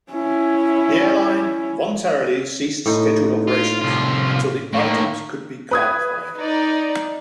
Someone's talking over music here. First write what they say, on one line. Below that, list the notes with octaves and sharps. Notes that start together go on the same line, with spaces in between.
The airline voluntarily ceased scheduled operations until the items could be clarified.
C#4 E4
A2 D#4
F4
C2 F4
A2 A#3
B4 D#6 G#6
D#4 D5